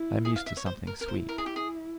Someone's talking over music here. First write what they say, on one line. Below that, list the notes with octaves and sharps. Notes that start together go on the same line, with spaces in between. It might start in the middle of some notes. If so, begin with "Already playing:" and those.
I am used to something sweet.
Already playing: E4
G#4
F5
E5
C#5
C5
A#4
A#4
E4 C5
A#4
G#4
G4
G#4